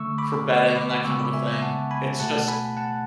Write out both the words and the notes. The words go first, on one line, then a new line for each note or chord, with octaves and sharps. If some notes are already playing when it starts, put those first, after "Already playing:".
For betting and that kind of a thing. It's just
Already playing: D3 A3 C#6 E6
B5 D6
B5 D6
G#5 B5
C#3 G#3 B3 C#6 E6
B5 D6
E5 G#5
E5 G#5
F#5 A5
G#5 B5
B2 A3 F#5 A5
G#5 B5
F#5 A5